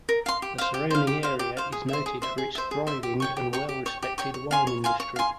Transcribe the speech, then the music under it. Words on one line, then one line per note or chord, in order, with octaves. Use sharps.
The surrounding area is noted for its thriving and well-respected wine industry.
A#4
F5 C6
G4
C5 F5
G4
C5 F5
G4
C5 F5
G4
C5 F5
G#4
C5 E5
G#4
C5 E5
G#4
C5 E5
G#4
C5 E5
G4
C#5 G5 C#6
G4
C#5 G5 C#6
G4
C#5 G5 C#6
G4
C#5 G5 C#6
C#5
F5 G#5 C6
C#5
F5 G#5 C6
C#5
F5 G#5 C6